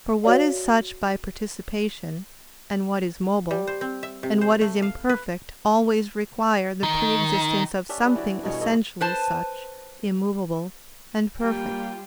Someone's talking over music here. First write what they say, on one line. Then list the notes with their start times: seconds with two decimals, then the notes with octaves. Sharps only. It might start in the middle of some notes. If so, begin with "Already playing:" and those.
For what is such by participation, and what is mobile, and what is imperfect always requires the pre-existence of something essentially such, immovable and perfect.
0.24 F#4 C#5 D5 F5
3.51 G3
3.67 C5
3.81 C4
4.03 E5
4.23 C3
4.41 C5
4.61 A3
4.82 F5
5.09 B4
6.83 D#3
7.89 C#4 D4 G4 E5
8.02 G3 B4
8.15 E3 F#4 D5
8.43 G2 B2 G#4 C#5
8.61 D#4 A4 C#5 D#5
9.01 B4 C5 A5
11.41 G3 A#3 F4 G5